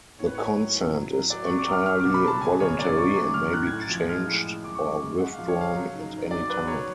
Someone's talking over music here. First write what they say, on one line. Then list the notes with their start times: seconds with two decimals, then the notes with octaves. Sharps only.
The consent is entirely voluntary and may be changed or withdrawn at any time.
0.19 A2 C#5
0.27 B4
0.34 A2 C#5
0.57 F#3
0.75 A2
0.94 F#3
1.13 F#3
1.30 F#3 D5
1.45 F#3 C#6
1.58 D6
1.67 F#3
1.73 F6
1.86 F#3 F6
2.00 D6
2.05 B2
2.14 B5
2.23 F#3 A5
2.41 C#3 G#5
2.60 F#2 C#5
2.78 F#2 D5
2.97 F#2 C#6
3.15 F#3 D6
3.34 F#2 F6
3.53 A2 F#6
3.67 A2 G#6
3.81 A6
3.90 F3 G#6
4.08 G#3 F6
4.27 A2
4.46 G#3
4.64 F#2 D6
4.75 C#6
4.83 G#3 D6
5.01 F#2
5.20 G#3 F#5
5.33 F5
5.39 F3
5.48 C#5
5.57 C#3 F5
5.75 F#3
5.94 G#2
6.12 G#2
6.31 F#3 D5
6.49 F#3 B4
6.67 F#3 C#5